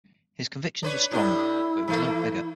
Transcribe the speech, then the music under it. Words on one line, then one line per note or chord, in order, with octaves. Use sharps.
His convictions were strong, but he was no bigot.
D4 B4 C#5
A2 G3 D4 E4
E3 A3 A#3